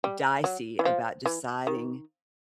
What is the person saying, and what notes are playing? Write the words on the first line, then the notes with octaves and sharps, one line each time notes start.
dicey about deciding
G3
F#3
E3
F3
E3
D#3